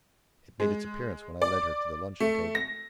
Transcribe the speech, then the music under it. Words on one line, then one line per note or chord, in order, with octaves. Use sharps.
It made its appearance when I led her to the luncheon table.
G#3
D5
A3
A#6